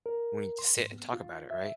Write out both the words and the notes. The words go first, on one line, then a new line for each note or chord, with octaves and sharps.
we need to sit and talk about it. Right?
A#4
C6
G#2
B3
F4
E5